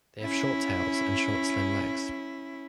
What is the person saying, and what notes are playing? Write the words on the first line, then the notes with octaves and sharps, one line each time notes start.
They have short tails and short slim legs.
C#4 E4